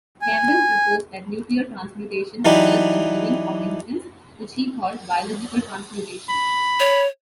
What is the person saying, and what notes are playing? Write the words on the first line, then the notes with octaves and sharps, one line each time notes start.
Kervran proposed that nuclear transmutation occurs in living organisms, which he called "biological transmutation".
G#5
E3 F#3 D4 D#4 G4 B4
B5
C#5